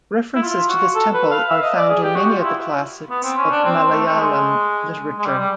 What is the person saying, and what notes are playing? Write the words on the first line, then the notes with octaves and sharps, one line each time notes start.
References to this temple are found in many of the classics of Malayalam Literature.
E4
F4
F#4
A4
B4
F5
E5
D#5
D5
G#4
G4
F#4
F4
E4
B3
C4
C#4
D4
C4
A3
A3
G#3
G#3
G3
G3